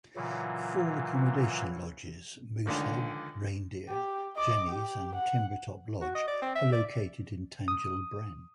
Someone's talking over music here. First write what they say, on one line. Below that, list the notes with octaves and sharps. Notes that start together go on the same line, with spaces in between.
Four accommodation lodges, Mooshead, Reindeer, Jenny's and Timbertop Lodge, are located in Tanjil Bren.
A#2 C#3 E3 F#3
C#2 D3 D#3 F3
G4
D#5 D6
G4
F#5
F#4
D#5
D5
C4
E5
D5
D#6